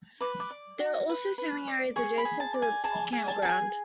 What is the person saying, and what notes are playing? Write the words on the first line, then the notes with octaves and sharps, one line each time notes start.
There are also swimming areas adjacent to the campground.
B4 D6
D6
D5
F#4
B4
B4
D5
G#4 C#6
B5
G#4
A5
D5
G#5
G#4 A5
G#4
A5
G#4 A5
G#5